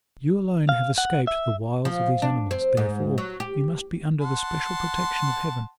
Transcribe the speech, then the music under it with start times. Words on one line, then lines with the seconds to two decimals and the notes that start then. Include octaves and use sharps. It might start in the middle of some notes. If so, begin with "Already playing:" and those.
You alone have escaped the wiles of these animals, therefore you must be under the special protection of Heaven.
0.69 F5
0.98 F#5
1.27 E5
1.85 F3
2.22 D4
2.51 C4
2.77 G#2
3.18 F#3
3.40 G4
4.21 F#5 A5 C6